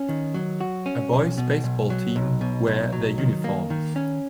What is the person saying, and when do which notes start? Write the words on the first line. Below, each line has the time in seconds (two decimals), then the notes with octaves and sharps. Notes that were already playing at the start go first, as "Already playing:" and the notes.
A boys baseball team wear their uniforms.
Already playing: C#4
0.09 D#3
0.34 F#3
0.61 F#4
0.86 C#4
1.13 B1
1.38 B2
1.64 B1
1.90 F#3
2.16 B1
2.41 B2
2.68 B1
2.93 F#3
3.18 D#3
3.44 A#3
3.70 D#3
3.96 C#4